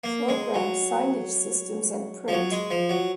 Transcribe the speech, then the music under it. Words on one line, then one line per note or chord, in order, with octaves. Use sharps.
Programs, signage systems and print.
A#3
G#3
F#3
F3
F#3
G#3
F3
F#3